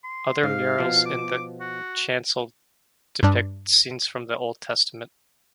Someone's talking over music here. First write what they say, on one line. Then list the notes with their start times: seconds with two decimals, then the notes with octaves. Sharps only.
Other murals in the chancel depict scenes from the Old Testament.
0.04 C6
0.43 G#2 F5
0.79 B2 F3
1.06 D6
1.61 F#4
3.23 G2 D4